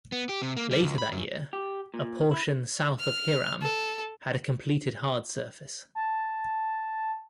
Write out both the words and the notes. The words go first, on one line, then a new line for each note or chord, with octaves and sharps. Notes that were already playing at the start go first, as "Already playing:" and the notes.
Later that year, a portion south of Hiram had a completed hard surface.
B3
G4
C3
A#3
G3
C#2
B5
F#2
G4
A#2
E4
F6
A4
A5